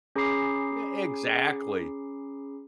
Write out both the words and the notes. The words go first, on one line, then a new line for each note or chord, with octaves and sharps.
Yeah, exactly.
C#4 G#4 A#5 B5 D6 C7